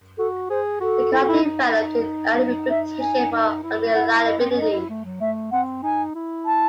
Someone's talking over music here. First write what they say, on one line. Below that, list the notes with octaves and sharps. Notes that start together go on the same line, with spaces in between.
The car developed an early reputation for unreliability.
F#4 A4
G#4 C5
F#4 A4
E4
F#4
E4
D#4
E5
G#5
D#4
E4
E4 F#5
D#5
C4
C#4
D#4 D#5
E4
A3
F#3
A3 E5
C4 F#5
D#4 G#5
E4
A5